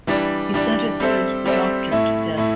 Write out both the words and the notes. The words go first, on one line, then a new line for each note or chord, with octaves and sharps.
He sentences the Doctor to death.
E3 G3 D4
E3 G3 D4
G3 C4 A4 C5 E5
G3 C4 A4 C5 E5
A2 A3 E4
A2 A3 E4